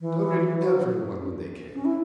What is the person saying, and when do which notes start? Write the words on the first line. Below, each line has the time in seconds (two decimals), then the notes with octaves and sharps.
So did every one when they came.
0.01 E3
0.20 E3
0.40 E3
0.59 F#3
1.75 C#4
1.85 E4